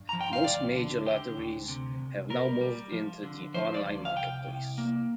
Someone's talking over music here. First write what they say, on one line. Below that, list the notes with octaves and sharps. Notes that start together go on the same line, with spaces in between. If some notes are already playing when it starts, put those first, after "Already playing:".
Most major Lotteries have now moved into the online marketplace.
Already playing: G2
F3 A#5
G5
F5
D2 D5
D3
D3 G4
D2
C3
C2
G3 A#4
G3
F3
D3
F3 C5
D5
D2
F5
C2 G5
C2
A#3